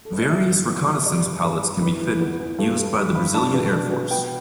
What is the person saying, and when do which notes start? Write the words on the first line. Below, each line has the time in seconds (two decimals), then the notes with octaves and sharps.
Various reconnaissance pallets can be fitted; used by the Brazilian Air Force.
0.05 A4
0.13 B4
0.22 D5
0.29 B3 E5
0.49 G2
0.68 B3
0.86 G2
1.06 G3 D5
1.25 G2
1.44 G2 B4
1.64 G2
1.82 E3 B4
2.01 E2
2.20 B3
2.39 E2
2.58 G2 A4
2.77 G3 A4
2.96 G3 B4
3.15 G2 B5
3.34 D4 A5
3.54 B2
3.73 D4
3.92 B2
4.11 B3 G5